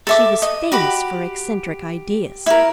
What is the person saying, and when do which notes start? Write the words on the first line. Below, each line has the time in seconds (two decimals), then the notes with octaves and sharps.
She was famous for eccentric ideas.
0.07 A4 E5 D6
0.42 D#5
0.72 F#4 G4 B5 D6
2.46 E4 A#4